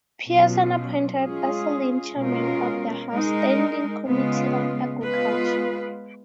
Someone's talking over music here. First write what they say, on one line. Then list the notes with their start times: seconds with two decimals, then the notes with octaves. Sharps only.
Pearson appointed Asselin chairman of the House Standing Committee on Agriculture.
0.26 B2 F#3 C#4 F4
1.22 G#3 C#4 F4 G#4
2.16 B2 G#3 C#4 F4 A#4
3.11 G#3 D#4 A#4
4.06 C#3 G#3 B3 F4
5.02 G#3 B3 F4 B4